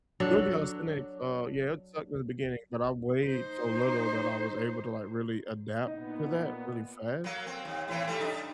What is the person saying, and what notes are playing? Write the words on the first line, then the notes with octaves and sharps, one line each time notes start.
doing calisthenics, uh, yeah, it sucked in the beginning, but I weighed so little that I was able to, like, really adapt to that really fast,
F#3 D4 A4
D#4 C5
A#2 B3 D#4
F#3 A#3
C4
D#2
A2 E3 C4
G3 A3
D4 D#4